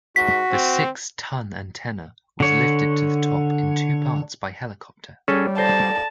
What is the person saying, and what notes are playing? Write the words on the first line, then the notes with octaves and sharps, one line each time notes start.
The six-ton antenna was lifted to the top in two parts by helicopter.
G#2 F#4 B6
C4
D3 C#5
G3 C#4 G#4 A4 C#5
A4 C5 D5 A5 A#6